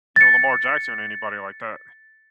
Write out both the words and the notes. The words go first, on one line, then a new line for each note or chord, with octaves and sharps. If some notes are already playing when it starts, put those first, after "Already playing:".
you know, Lamar Jackson or anybody like that
A6 C#7